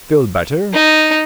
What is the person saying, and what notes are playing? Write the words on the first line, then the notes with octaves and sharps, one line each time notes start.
Feel better.
D#4